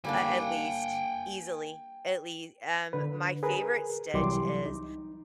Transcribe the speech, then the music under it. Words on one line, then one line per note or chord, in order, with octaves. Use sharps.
At at least, easily. At lea Um, my favorite stitch is
G3 A#3 D4 G5 G#5
D3 B4
G#4 A#4 B4
C2 E3 F#3 G3 C6 D6
D#4